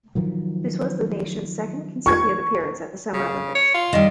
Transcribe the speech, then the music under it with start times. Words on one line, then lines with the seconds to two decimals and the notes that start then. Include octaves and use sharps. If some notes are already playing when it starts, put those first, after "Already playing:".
This was the nation's second consecutive appearance at the Summer Olympics.
0.15 D#3 F3 F#3
2.06 C#6 G#6
3.14 C#3
3.55 C#5
3.74 F4
3.93 D#3 G3